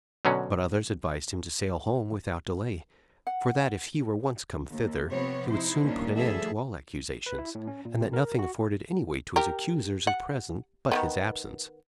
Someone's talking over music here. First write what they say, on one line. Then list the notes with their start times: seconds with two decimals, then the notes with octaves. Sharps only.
But others advised him to sail home without delay; for that if he were once come thither, he would soon put an end to all accusations, and that nothing afforded any weight to his accusers at present but his absence.
0.25 B2 D3 F#3 C#4
3.27 F#5
4.70 D#2
5.11 C3 F3 B3 C4 C#5
5.50 D#4 E4 C5
5.83 A#2 D#3 G3 A#3 C#4 D4
6.16 D2 F3 G3 G#4 A4 E5
7.26 B4
7.39 E4
7.55 A2
7.67 C#4
7.85 A#2
8.01 C3
8.13 A#4
8.39 F#4
9.36 G4 A#4
10.07 F#5
10.92 D#3 E3 B3